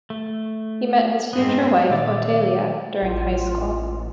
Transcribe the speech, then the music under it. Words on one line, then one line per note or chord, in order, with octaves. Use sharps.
He met his future wife, Otelia, during high school.
A3
G#2 B3 C4
A#2 D#3 D5 E5 D6 A6
A1 F4